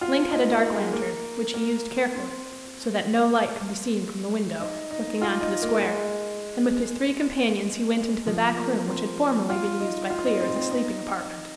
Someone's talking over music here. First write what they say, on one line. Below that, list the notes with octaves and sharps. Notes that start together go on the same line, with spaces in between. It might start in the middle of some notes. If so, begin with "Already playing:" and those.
Link had a dark-lantern, which he used carefully, so that no light could be seen from the window looking on to the square; and with his three companions he went into the back room which had formerly been used by Clear as a sleeping apartment.
F4
D#4
A#3
G#3
A#3
A#3
C4
D#4
D#4
F4
D#4
A#3
G#3
F3
A#3
C4
F4
D#4
F4
D#4
C4
C4
D#4